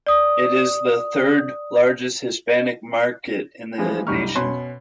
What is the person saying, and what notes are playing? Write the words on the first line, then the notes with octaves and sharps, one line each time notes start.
It is the third-largest Hispanic market in the nation.
D5 D#6
E3 F3 G3 G#3
C2 F#2 G3 D#4 C#6 F6
B2 C#4 C#5 C6 F#6